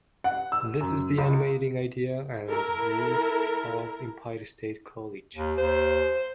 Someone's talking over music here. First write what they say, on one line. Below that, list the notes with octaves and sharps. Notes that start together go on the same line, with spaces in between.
This is the animating idea and the root of Empire State College.
F#5
E6
F#2
C#2
E4 A4 A#4
D#2
D#2 C5